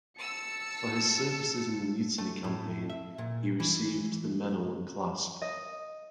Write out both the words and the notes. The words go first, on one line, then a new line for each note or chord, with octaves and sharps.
For his services in the Mutiny campaign he received the medal and clasp.
A5 E6 C#7
A3
A2
E5
A#2
E3
D#5